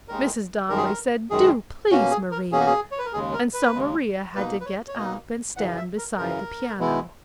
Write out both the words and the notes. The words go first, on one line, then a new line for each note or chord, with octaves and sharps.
Mrs. Donnelly said "Do, please, Maria!" and so Maria had to get up and stand beside the piano.
D#2 D#3 G#3 D#4 A#4
F#2 D#3 G#3 A#4
G#4
A#4
F#2 D#3 G#3 G#4
B2 A#3 C#4 F#4
G#4
A#4
B2 A#3 C#4 G#4
F#4
G#4
C#5
B4
A#4
D#2 C#3 G#3 G#4
A#4
B4
D#2 C#3 G#3
B2 A#3 D#4 B4
B4
C#5
C#5
B2 A#3 D#4 D#5
F#2 C#3 E3 F#5
E5
A#4
F#2 C#3 E3 A#4
B2 G#3 B3 E4